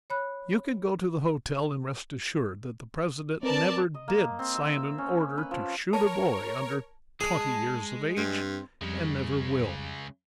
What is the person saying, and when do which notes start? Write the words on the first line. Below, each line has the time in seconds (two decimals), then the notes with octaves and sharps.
You can go to the hotel and rest assured that the President never did sign an order to shoot a boy under twenty years of age, and never will.
0.10 C#5 B5 F#6
3.43 C4 A#4 B4 D5 A5
3.94 D#5
4.08 A#3
4.39 C4
4.55 E5
4.73 E5
4.98 C#4
5.38 B4
5.51 F3
5.93 A#4 C#5 A5
7.21 G#3 G#4 A5
8.17 G2 C4
8.82 F2 C#3 G3 G#3